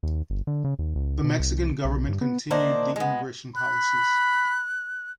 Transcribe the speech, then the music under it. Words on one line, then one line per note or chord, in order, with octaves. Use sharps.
The Mexican government continued the immigration policies.
D#2
G1
D3
C#3
D#2
C#2
B2
C2
B1
G2
B3
D#3 A#3 D4 C5
G#3 B3
B5 F#6